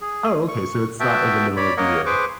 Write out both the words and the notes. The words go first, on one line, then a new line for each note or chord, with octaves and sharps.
Oh, okay, so it's not in the middle of the year.
G#4
C#6
B3 F#4 E5 G5 A5
C#5 D5 B5
A#3 A#4 C#5 D#5 F#5
G#4 B4 C5 C#6 D6